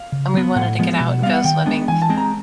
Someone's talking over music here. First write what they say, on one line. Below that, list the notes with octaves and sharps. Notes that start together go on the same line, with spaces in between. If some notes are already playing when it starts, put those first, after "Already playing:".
and we wanted to get out and go swimming,
Already playing: F5
C#3
F#3 B3
A2 F#5
F3 G#3 B3
B2
G3 B3 F5
F#5
D#3 G5
G#3 B3 D4
E3 G#5
A5
G#3 C4
A#5